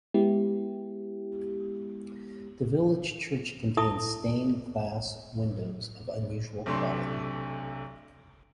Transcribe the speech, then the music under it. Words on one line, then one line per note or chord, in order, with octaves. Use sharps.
The village church contains stained glass windows of unusual quality.
G#3 B3 E4 G4
E4 A4 E5 A5 C#6 D#6
B1 C3 A3 D4 C6